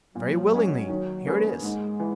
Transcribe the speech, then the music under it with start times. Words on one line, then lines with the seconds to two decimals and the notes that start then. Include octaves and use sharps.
"Very willingly; here it is."
0.15 A#2 F#3
0.52 G#3 C#4
0.88 D#3
1.26 A#3 C#4 G#4 B4
1.62 G#2 G#3
2.00 E3